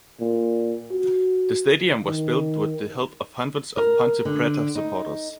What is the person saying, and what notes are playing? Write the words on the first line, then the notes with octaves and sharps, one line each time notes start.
The stadium was built with the help of hundreds of Ponte Preta supporters.
A#2
F#4
D#3
A#4
D3
D#4